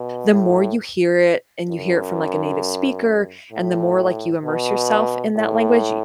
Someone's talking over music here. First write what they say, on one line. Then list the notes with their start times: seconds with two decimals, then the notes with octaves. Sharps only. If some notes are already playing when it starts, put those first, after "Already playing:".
the more you hear it and you hear it from like a native speaker, and the more, like, you immerse yourself in that language, y
Already playing: B2
0.31 A2
1.68 F#2
3.52 A2
4.44 B2
5.36 A2